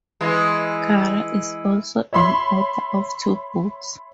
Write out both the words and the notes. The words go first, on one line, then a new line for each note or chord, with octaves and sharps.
Cara is also an author of two books.
E3 G#3
C#5 E5 B5 C6